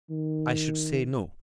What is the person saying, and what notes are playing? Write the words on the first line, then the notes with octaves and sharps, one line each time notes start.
"I should say no."
D#3